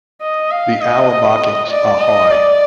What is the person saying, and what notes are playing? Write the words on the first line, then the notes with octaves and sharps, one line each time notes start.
The hour markings are high.
D#5
F5
D#5
D5
D#5
D5